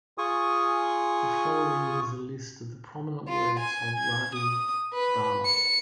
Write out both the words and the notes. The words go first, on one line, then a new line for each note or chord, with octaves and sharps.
The following is a list of the prominent works of Ravi Varma.
F4 G#4 G#5 C#6 D#6
F4
G#5
G#6
D#6
B4
C#7